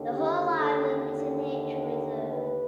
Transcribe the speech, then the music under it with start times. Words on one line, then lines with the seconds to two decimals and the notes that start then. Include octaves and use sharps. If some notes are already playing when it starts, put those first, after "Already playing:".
The whole island is a nature reserve.
Already playing: D#2 D3
0.11 G4
0.55 A4
1.88 A#4
2.32 B4